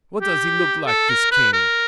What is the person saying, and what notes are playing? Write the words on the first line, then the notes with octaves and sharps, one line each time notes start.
"What does he look like, this Kane?"
G4
A4
A#4
B4
A#4